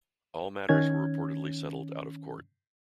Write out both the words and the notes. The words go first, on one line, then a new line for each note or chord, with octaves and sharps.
All matters were reportedly settled out of Court.
D#3 C#4 G#6